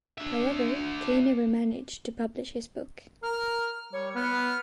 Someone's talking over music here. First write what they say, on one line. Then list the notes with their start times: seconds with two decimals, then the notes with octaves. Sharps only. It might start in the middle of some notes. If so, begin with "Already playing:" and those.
However Kay never managed to publish his book.
0.18 D4 E5
3.23 A#4 F6
3.93 G3 C#5
4.15 B3 F6